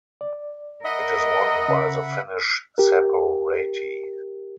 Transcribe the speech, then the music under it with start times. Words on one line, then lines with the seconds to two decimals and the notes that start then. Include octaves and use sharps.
It is won by the Finnish Seppo Raty.
0.21 D5
0.84 A#4 D#5 E5 F#5 B5
1.68 C#3
2.78 G4 A#4